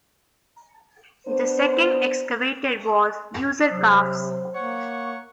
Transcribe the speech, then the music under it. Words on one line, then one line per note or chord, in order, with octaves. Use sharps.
The second excavated was Userkaf's.
B3 D4 C5
C3 F#3 C5
A#3 C#5 F#5 C#6